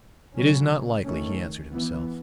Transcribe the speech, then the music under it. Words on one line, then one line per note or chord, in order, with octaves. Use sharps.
"It is not likely," he answered himself.
C#3 F#3 C#4
D#3 A3 C#4
E3 B3